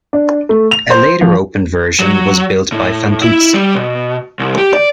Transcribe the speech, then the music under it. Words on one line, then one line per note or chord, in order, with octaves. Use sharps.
A later open version was built by Fantuzzi.
D4
A3
F7
C5
F3
F#3
A2
E4
G3
B2
C2
G4
D5